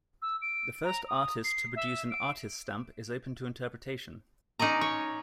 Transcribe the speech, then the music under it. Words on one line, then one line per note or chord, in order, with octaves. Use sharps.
The first artist to produce an "artist's stamp" is open to interpretation.
E6
D7
A#5
D#6
C7
E5
D7
C#4 D#4 D5 D#5 A#5
C#5